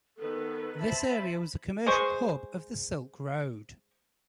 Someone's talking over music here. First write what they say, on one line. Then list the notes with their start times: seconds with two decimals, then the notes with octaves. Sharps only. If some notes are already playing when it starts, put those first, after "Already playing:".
This area was a commercial hub of the Silk Road.
0.18 D#3 B3 A4 B4
0.80 C4 E5 A5 B5
1.86 G#3 G#4 C5 C#6